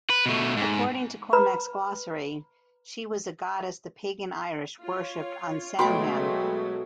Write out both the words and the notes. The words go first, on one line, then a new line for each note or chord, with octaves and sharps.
According to "Cormac's Glossary", she was a goddess the pagan Irish worshipped on Samhain.
B4
B2 A3
G#2
B4 A#5 B5
F4 C#5
B2 F#3 G#3 A3 G5 B5 C6 D6